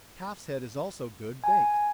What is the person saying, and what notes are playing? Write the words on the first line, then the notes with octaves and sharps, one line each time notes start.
Calf's head is also good, baked.
G#5